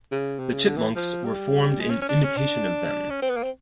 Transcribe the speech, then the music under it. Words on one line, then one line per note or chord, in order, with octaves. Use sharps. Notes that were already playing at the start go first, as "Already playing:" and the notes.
The Chipmunks were formed in imitation of them.
C#3
C3
C#3
D3
E3
F3
G3
G#3
C#4
C#4
D4
C#4
D4
C#4
C4
B3
A#3
C4